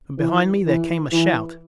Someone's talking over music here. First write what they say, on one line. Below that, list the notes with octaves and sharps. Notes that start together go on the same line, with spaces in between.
From behind me there came a shout.
E3
E3
E3